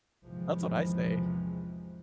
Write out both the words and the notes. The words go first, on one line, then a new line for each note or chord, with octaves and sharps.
That's what I say,
G#1 E2 C3 E3 F3 G#3